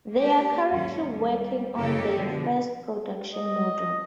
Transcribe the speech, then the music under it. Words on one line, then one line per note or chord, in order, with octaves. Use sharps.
They are currently working on their first production model.
A#3 C#4 G4
D#2 G#2 F#3 C#4
G3
F#2 C#3 E4 G4 A4 D#5
B2 D3 F3
D#5